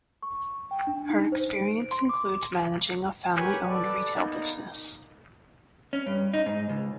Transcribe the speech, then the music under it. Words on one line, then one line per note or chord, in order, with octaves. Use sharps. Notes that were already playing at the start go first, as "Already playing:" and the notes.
Her experience includes managing a family-owned retail business.
C#6
G5
D4
D#4
C5
D7
C6
D6
G4 A#4 B4 C#5 G#5
A4 B4 D5
A#3 B3 D#4
C#4
G2
D#4
G#2
C#2